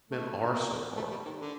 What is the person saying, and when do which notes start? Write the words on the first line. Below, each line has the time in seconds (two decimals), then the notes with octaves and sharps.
Men are so hard!
0.10 A3
0.53 A#3
0.97 A3
1.11 G3
1.25 D#3
1.40 D3